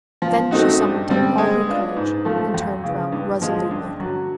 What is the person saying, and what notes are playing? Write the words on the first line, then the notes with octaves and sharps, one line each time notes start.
Then she summoned up all her courage, and turned round resolutely.
F3
A3 C4 D#4 F#4
G2
D3 G3 C4
G#3
B3 D4 F4
G#2
F3 A3
F2
C#3 E3
G2
D3 F3 G#3
G2
D3 F#3